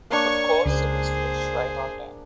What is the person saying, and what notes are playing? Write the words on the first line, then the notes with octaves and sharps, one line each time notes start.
Of course, it was finished right on time.
A#3 D4 C#5 C#6
C#2 G#4 C5